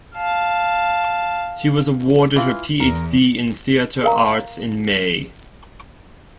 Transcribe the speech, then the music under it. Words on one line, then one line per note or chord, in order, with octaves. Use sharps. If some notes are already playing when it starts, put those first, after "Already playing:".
She was awarded her Ph.D. in Theatre Arts in May.
F5 A5
E3 F4
E2 A#4
A#4 F5 A#5